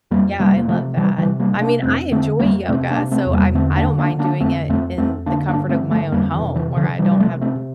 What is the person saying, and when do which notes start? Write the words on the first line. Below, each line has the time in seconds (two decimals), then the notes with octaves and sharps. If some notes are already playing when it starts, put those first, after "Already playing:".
Yeah, I love that. I mean, I enjoy yoga, so I'm, I don't mind doing it in the comfort of my own home where I don't have
0.11 F2 G3 A#3
0.39 C3 G3 A#3
0.57 A#3
0.68 C3 F3 A3
0.97 C3 E3 G3
1.18 E3 G3
1.25 C3
1.40 G3 A#3
1.54 C3
1.61 A#3 D4
1.83 F2 A3 C4
2.11 D3 A3 C4
2.40 F2 G3 A#3
2.68 C3 A3 C4
2.90 A#3 D4
2.98 C3
3.12 A3 C4
3.26 E2
3.34 G3 A#3
3.54 D3 A3 C4
3.76 A#3 D4
3.84 D3
3.98 A#3 D4
4.13 D3
4.19 A#3 D4
4.40 F2 A3 C4
4.69 F2 A3 C4
4.97 F2 A3 C4
5.26 D3 A#3 D4
5.48 A#3 D4
5.55 G2
5.69 A3 C4
5.83 D3
5.91 F3 A3
6.12 F2 G3 A#3
6.35 E3
6.41 C3
6.56 E3
6.70 C3
6.76 D3 F3
6.98 C3 E3 G3
7.12 G3
7.20 F3 A3
7.27 C3
7.41 A3 C4
7.56 C3